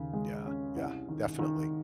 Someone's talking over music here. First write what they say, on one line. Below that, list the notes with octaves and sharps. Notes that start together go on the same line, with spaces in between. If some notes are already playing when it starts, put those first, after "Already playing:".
Yeah, yeah, definitely.
Already playing: D#2 C#3
G#3
C#4
C2
D#3
D#3